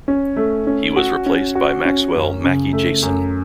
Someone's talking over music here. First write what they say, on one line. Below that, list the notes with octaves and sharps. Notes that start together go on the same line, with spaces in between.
He was replaced by Maxwell "Mackie" Jayson.
C#4
A3
C#4
F#4
C#4
F#4
C#4
F#2
C#3
A3
F#2